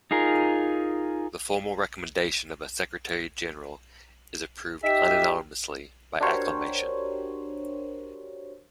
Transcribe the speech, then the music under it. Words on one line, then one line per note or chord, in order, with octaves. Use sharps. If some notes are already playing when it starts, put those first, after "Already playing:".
The formal recommendation of a Secretary-General is approved unanimously by acclamation.
D#4 F4 G#4 A#4
D#4 G4 E5
D4 F#4 G4 A#4 C5 C#5